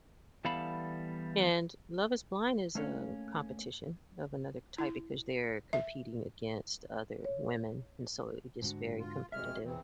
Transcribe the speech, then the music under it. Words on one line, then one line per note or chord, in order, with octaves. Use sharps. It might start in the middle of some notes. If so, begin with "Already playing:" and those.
and, Love is Blind is a competition of another type because they're competing against other women, and so it gets very competitive,
E3 G3 B3 A4 F5 B5
A3 A#3 C#4 C#5 F5
E4
E5
C#5
G#2 D3 F#4
F4
F2 G#3 F#4 G#4 E5 F6
E2 C#3 E3 C4